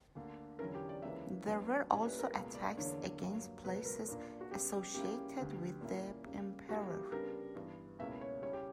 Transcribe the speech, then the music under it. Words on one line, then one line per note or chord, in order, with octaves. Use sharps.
There were also attacks against places associated with the emperor.
D2 D3 A#3 D4
E2 D3 F#3 C#4 E4 A#4
G4
D5
C#2 C#3 E3 A#3 C#4 E5
D2 D3 F#3 B3
A#2 G3 C#4 E4 D5
B4
A#4
C#2 B2 A#3
D5
E2 D3 A#3 D4 C#5
G2 F#3 A#3
C#2 B2 F#3 B4
A#4
A#2 A#3 D4
F#4
C#3 G3 B3 G4
G4
C#3 G3 A#3 C#4 E4 G4
D2 D3 G3 B3
A#2 A#3 C#4 E4
C#3 G3 A#3
C#3 G3 A#3 E4 F#4
G4
C#3 G3 B3 D4 A#4
G2 E3 B3
C#2 B2 A#3 C#4 E4 E5
C#5
C#3 G3 C#4 E4 C#5
G4